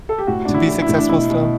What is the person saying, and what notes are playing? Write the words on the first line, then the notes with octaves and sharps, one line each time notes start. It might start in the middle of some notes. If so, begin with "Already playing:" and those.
to be successful still?
A4
G4
A2 F#4
A2 D4
E4
E3
E4
A2
D4
B2 E4
B2